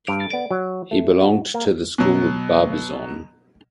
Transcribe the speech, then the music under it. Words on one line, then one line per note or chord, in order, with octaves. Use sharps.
He belonged to the School of Barbizon.
G2
B3
F#3
A3
F#4
A#3
B2 F#3